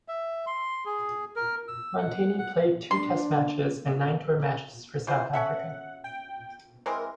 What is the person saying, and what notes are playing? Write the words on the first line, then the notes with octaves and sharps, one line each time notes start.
Montini played two test matches and nine tour matches for South Africa.
E5
C6
G#4
A#4
E6
F#5
F#5
D4 C6
E3 F4 C5
C#4 A4 E5 F#5
G5
E3 G#3 C4 A#4